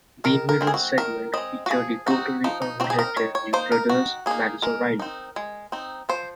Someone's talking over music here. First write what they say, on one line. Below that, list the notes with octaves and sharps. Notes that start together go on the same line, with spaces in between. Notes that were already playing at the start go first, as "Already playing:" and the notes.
The middle segment featured the totally unrelated The Brothers Matzoriley.
D#3 A#4
A#4
G#3 C4
G#4
F#4
D#3 A#4
G#3 C4 D#5
F#4
F3 G#4
C4 D#4 F#4
F3 D#4
D#4
C4 D#4 F#4
G#4
A#4
D#3 C#5
C#5
A#3 D#4 C5
A#4
D#3 F#4
A#3 D#4 G#4
G#3 A#4
C4 D#4
G#3
C4 D#4
F3 C5